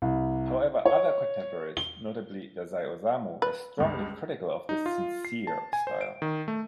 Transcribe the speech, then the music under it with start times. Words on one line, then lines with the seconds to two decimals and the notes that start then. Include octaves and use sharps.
However, other contemporaries, notably Dazai Osamu, were strongly critical of this "sincere" style.
0.02 C2
0.85 C#5
1.77 G7
3.42 B4
3.79 C#2 G2
4.69 D#4
4.86 F4
5.25 C7
5.47 A5
5.73 G#5
5.87 C5
6.01 D7
6.22 D#3
6.48 A3